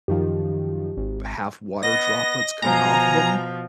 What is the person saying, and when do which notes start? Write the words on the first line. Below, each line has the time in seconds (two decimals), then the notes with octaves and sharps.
have water droplets coming off of 'em.
0.08 F#2 D#3 F3 G4
0.97 G#1
1.83 B3 D#5 A#6
2.62 B2 F3 G#5 A#5